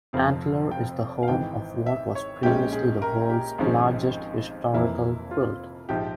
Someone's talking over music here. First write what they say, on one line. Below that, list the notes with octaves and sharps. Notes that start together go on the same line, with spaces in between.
Antler is the home of what was previously the world's largest historical quilt.
F1 F2 C3 F3 F5
G5
F5
G#1 G#2 E3 G5
E5
C#5
A#1 A#2 G#3 C#4 G4
G#4
A#4
G4
G#1 G#2 F3 G#3 C#4
F1 F2 C3 E3 A#3 E4
F4
A#1 G#2 F3 G4